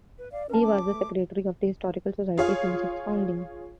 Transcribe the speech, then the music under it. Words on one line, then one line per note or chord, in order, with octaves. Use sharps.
He was the Secretary of the Historical Society since its founding.
B4
D5 F5
C#4 A#4 B4 A5
D6
A3
F4 G#4 C#5 F5